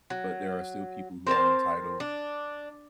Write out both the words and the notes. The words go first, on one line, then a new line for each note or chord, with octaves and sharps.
but there are still people who are entitled,
F#3
C4 A#4 C5 A5
D4